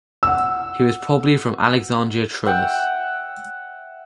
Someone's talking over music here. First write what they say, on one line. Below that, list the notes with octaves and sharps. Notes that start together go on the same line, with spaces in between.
He was probably from Alexandria Troas.
F#5 E6
E5 F#5 G5